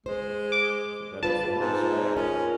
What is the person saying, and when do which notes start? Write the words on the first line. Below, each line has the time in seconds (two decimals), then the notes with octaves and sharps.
For better or for worse, right.
0.06 G#3 C5
0.52 D6
1.23 F4 B4 C5 A5
1.60 G#2
2.16 C#4 F4 A#4 D#5